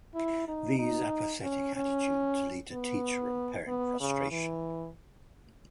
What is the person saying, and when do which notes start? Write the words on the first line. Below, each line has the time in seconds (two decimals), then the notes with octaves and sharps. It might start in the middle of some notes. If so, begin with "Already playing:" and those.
These apathetic attitudes lead to teacher and parent frustration.
0.15 E4
0.48 D#4
0.79 D#4
1.43 C#4
1.76 C#4
2.72 B3
3.67 B3
4.00 C#3
4.31 E3